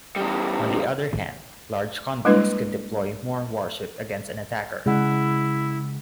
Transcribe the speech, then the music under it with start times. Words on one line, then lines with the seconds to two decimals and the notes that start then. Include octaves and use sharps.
On the other hand, large convoys could deploy more warships against an attacker.
0.16 E2 G3
2.25 G3 G#3 A#3 D4 E4 B4
4.86 C#3 G#3 E4 G#4 F#5